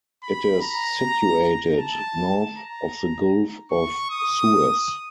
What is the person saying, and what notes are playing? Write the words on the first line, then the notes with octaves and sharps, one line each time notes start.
It is situated north of the Gulf of Suez.
B5
A#5
A5
A#5
C#6
D#6